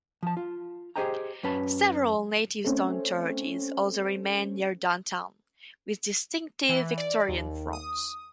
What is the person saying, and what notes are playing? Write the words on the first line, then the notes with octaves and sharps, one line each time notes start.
Several native-stone churches also remain near downtown, with distinctive Victorian fronts.
F3 A5
F4
G4 G#4 C5 D#5 G5 A#5
F#2 C#4 B4 A5
A3 C4 C#4
E3
D5
D#2
D#6